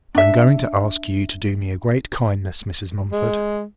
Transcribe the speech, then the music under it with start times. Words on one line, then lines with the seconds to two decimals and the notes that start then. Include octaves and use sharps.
'I am going to ask you to do me a great kindness, Mrs. Mumford.'
0.15 D4 E5
3.12 G#3